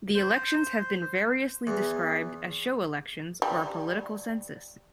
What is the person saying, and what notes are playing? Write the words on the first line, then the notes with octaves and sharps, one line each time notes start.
The elections have been variously described as show elections or a political census.
C5
E2
G3